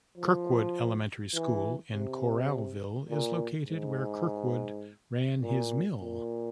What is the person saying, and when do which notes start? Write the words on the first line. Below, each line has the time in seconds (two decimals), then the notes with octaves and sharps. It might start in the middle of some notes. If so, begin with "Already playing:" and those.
Kirkwood Elementary School in Coralville is located where Kirkwood ran his mill.
0.18 F3
1.34 E3
1.93 C3
3.09 A#2
3.68 G#2
5.42 A#2
6.01 A#2